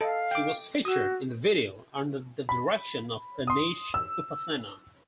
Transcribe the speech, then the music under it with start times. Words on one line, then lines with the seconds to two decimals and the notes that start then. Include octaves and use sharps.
She was featured in the video under the direction of Aneesh Upasana.
0.01 A4 D#5 F5
0.31 G5 D6
0.85 F#4 D#6 E6
2.49 B5
3.47 C6 D#6
3.94 E6